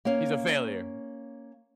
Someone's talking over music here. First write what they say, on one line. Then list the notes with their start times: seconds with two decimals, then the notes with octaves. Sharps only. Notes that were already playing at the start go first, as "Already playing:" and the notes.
He's a failure,
0.05 A#3 C#4 C#5 F5